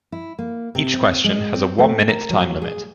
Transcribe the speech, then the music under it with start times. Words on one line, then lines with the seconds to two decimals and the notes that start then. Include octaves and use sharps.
Each question has a one-minute time limit.
0.12 E4
0.39 A#3
0.75 C3
0.93 C4
1.24 G#3
1.54 C4
1.78 A3
2.08 A#4
2.30 F#3
2.62 G#4